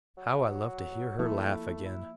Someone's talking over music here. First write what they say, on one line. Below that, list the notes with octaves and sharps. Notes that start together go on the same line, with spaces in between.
How I loved to hear her laugh again!
F#3
F3 A3 A#3 E4
E4